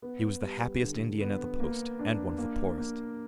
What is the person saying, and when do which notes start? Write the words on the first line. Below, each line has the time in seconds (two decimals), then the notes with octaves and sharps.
He was the happiest Indian at the Post, and one of the poorest.
0.02 B3
0.42 G3
0.80 D3
1.21 B3
1.60 A#3
1.99 D4
2.38 A#3
2.78 A#3